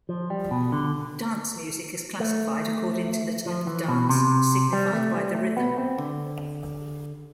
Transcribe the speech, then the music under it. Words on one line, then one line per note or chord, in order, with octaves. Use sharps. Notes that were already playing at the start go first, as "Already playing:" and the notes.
Dance music is classified according to the type of dance signified by the rhythm.
F3
G3
B2
D3
A3
F3
E3
B2
C3
G3
A3
G3
A3
B3
C4
D3